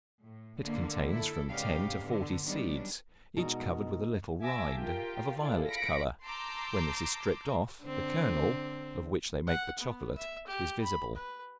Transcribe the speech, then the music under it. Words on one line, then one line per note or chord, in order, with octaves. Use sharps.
It contains from ten to forty seeds, each covered with a little rind, of a violet color; when this is stripped off, the kernel, of which they make the chocolate, is visible.
A2
D3 A#3
E4 A4
G#2 C#3 B3 D4 G4 F5
D3 B3
D#3 F#3 G3 B3 C#4 D4
B2 G#3 D#4 F#4 A#4
E5 G#5 A5 D6 E6 A#6
F4 G4 A#4 G5
E4 F4 G#4 A4 D5
F5 B5 A#6 B6 C#7 D7
A5 A#5 C6 D6 E6 G6
D3 C4
F#5
B3
E5
G4
B5
B4